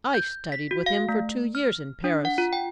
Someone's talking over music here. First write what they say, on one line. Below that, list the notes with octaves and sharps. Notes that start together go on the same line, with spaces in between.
'I studied with him for two years in Paris.
G6
B6
F#4
F5
A3
F6
D4
F#5
F4
G5